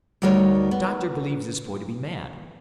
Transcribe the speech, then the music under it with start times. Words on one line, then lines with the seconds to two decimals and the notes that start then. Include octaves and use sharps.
A doctor believes this boy to be mad.
0.22 D2 G3 D#4 F#4 A#4 C#5
0.71 B3